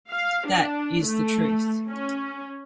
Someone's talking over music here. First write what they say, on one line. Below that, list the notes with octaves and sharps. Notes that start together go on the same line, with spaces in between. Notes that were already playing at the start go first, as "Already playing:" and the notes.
That is the truth.
F5
D4
A3
C#4